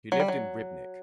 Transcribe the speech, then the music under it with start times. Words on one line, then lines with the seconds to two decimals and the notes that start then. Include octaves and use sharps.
He lived in Rybnik.
0.12 F#3
0.20 G3
0.28 F#3